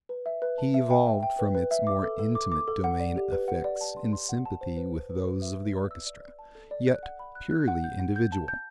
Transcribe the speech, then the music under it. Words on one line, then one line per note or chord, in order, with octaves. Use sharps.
He evolved from its more intimate domain effects in sympathy with those of the orchestra, yet purely individual.
B4
E5
B4
A5
E5
G5
E5
G5
B4
B4
E5
D6
A4
A4
D6
D6
A4
F#5
D5
G4
B4
F#5
D5
A5
C6
C6
F#5
A5
C5
B4
B4
B4
B4
E5
B4
D5
E6
D5
D5
A5
A4
D5
F#6
F#5
B5
F#6
F#6
F#5
G6
F#5
G6
A5
G6